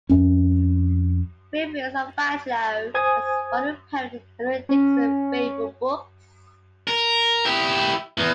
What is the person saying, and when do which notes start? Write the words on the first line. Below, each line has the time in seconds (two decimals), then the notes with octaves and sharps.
"Reveries of a Bachelor" was one of poet Emily Dickinson's favorite books.
0.09 F2 C#4
2.94 C5 G#5 D#6 G#6
4.69 C#4
6.87 A#4
7.45 E4 G4
8.17 E2